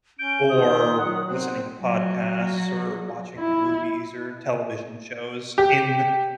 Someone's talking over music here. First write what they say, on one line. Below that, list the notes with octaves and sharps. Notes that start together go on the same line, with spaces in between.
or listening to podcasts or watching movies or television shows in
C#4 G6 D7
D#3 C5 D#6
F#3 F#5
C4
F#3
E4
G4